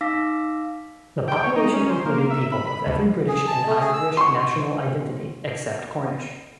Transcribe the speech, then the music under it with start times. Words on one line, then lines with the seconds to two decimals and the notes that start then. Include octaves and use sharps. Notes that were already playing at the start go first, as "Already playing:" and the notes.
The population included people of every British and Irish national identity except Cornish.
0.01 D#4 F5 D6 E6 A#6 B6
1.28 G5
1.43 C#5
1.56 D#4
1.74 C#4
1.89 C5
2.06 A#3
2.30 E5
2.52 B5
2.67 B5
2.86 D2
3.28 G#4
3.47 A5
3.67 A3
3.81 G#4
3.93 E6
4.17 C6 C#6